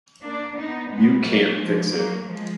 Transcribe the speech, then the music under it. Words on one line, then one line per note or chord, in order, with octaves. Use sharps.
You can't fix it.
A#3 D4
B3 D#4
G#3 B3
F#3 A#3
F3 G#3
F#3 A#3
F3 G#3